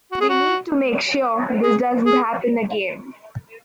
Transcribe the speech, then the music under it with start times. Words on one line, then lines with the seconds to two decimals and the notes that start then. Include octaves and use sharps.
We need to make sure this doesn't happen again.
0.12 F#4
0.21 G#4
0.30 F#4
1.63 G#4
2.06 G#4